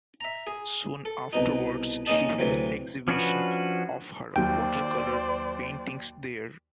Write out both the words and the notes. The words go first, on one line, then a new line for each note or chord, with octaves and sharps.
Soon afterwards she had an exhibition of her watercolor paintings there.
E5 A#5
G#4
A4
C2 B2 D#4
D#2 C#4 D#4 D#5 A5
D2 C3 E3 F#3 C4
F3 C#4 D4 F#4 B4
D#2 F#3 C5 D5 G5